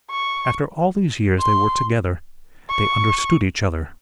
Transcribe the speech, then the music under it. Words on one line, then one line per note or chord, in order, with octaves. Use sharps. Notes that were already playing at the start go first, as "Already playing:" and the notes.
After all these years they were together; they understood each other.
C#6
C6
C#6